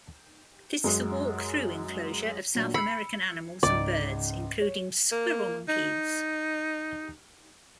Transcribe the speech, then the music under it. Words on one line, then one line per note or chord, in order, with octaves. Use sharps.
This is a walk-through enclosure of South American animals and birds including squirrel monkeys.
F#2 F#3 G#3
A#2 F#3 D4
B5 E6 C7 C#7
C#2 G#2 D5
C#5
A#3
D#4